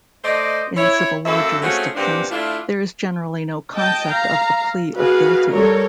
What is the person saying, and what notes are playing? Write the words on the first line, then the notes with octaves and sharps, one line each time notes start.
In civil law jurisdictions, there is generally no concept of a plea of guilty.
A3 C5 D5 D#5
E4 C#5
F#2 A#3 A4 E5
A3 C4 C#4 F4 F#4 G#4
A#2 F3 B3 C4 D4 G4
A3 D4 E4 F4
D#5 G5 A5
F5 A#5
F#4 G#4 B4 F5
G3 A4 A#4 C#5